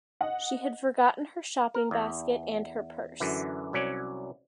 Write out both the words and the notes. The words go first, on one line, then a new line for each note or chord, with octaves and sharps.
She had forgotten her shopping basket and her purse.
D#5 F#5
A#4
E2
F#2 D3 E3
C2 F#3 C#4 D5